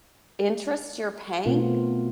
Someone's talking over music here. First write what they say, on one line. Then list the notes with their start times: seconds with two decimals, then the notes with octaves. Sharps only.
interest you're paying
1.45 B2 A3 B3 C4 F4 A#4